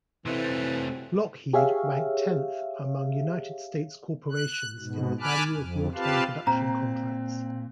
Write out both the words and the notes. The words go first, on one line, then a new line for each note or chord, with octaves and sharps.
Lockheed ranked tenth among United States corporations in the value of wartime production contracts.
C3 E3 F#3 G3 A3 C4
G4 G#4 C#5 E5 F5
F#6
G#2 B2
G#5 A5 B5 D6 F6 F#6
F2
C4 F4 G4 B4 F5 A5
A#2 C4 A#5